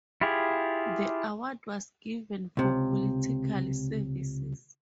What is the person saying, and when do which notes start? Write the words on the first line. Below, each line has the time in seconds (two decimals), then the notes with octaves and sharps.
The award was given 'for political services'.
0.21 E4 F4 G4 G#4
2.57 C#2 C3